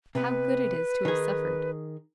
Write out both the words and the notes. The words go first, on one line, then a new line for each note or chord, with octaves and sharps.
How good it is to have suffered!
C3 B3 B4
D#3 G#4